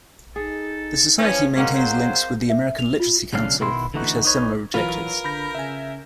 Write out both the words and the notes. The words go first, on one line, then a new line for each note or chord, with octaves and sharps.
The Society maintains links with the American Literacy Council, which has similar objectives.
D#4 G#4 A4
E3 F3 C#4
F#3 G#3 A#3 C4 C#4 A#4 F5
F#3 C5
E5
F7
F4
B1 C#3 C#4 D4 F#4 F5
B2 D#3 B3 E4 F#5 C6
D3 E3 A3 D#4 F#4
D#4 B4 C#5
E3 F#3 F4 A#4 B4
D3 B5 G6 A#6
C#3 E5 G#5